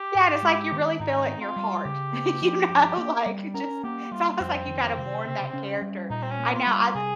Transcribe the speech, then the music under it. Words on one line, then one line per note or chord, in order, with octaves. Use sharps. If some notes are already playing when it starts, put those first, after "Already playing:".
Yeah, and it's like you really feel it in your heart. You know, like, you just it's almost like you gotta mourn that character. I now, I've
Already playing: G4
G#2
G#3
D#3
G#2 D#4
C4
F4
G3
C#3 G4
A#3
F3
G2
A#3
G3
C#4 A#4
A#3 G4
G3 F4
F2 C4
D#3
C3
C#3
C#4
G3
A#2 D#4
C4
C#4
A#3
F4
G3
F4
C3 G#4